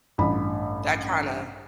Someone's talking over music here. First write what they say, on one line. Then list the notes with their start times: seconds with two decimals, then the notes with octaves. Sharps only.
that kinda
0.18 A1 G2 B5